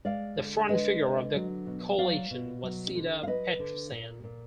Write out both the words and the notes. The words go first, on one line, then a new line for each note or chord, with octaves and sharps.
The front figure of the coalition was Seda Petrosyan.
G#3 D5 F5
D3
G#3 B4 D#5
D3
F#3
B2
F#3 D5 F5
B2
F#3
D3
F5
F#3 B4 D#5
D3
A#2
A#2